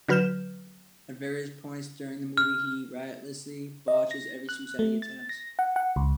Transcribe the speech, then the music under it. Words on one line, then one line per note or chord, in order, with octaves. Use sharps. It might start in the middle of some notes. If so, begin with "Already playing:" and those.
At various points during the movie, he riotously botches every suicide he attempts.
D3 F#3 B4 F6 G6 E7
F6
D#5
A#6
F#6
A3
A6
A#6
F#5
F#5
C#2